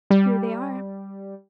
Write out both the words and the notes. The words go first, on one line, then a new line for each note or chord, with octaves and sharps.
"Here they are."
G3